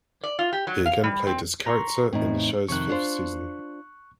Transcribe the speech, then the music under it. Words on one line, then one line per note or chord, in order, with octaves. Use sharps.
He again played this character in the shows fifth season.
D5
F4
G4
F#3
F5
G3
C4
A#5 C6 C#6
E2 A2 C4 D#4
F2 C3 D#3 C#6 F#6
D4 F4 C5